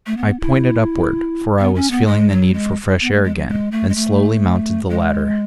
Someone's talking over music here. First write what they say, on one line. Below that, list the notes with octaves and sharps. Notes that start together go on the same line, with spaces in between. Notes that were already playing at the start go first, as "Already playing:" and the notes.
I pointed upward, for I was feeling the need for fresh air again, and slowly mounted the ladder.
A3
B3
E4
B3
C#4
B3
G#3
F#3
G#3
B3
A3
G#3
F#3
G#3
A3
G#3
A3
G#3